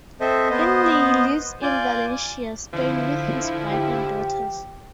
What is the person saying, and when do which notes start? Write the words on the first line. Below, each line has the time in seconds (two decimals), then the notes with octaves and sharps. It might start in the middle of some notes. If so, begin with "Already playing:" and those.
Hingley lives in Valencia, Spain with his wife and daughters.
0.21 C4 A4 C5 D#5 E5
0.50 B3 C5 D#5
1.62 F4 D5 G#5 G6
2.73 D3 F3 E4
3.71 G4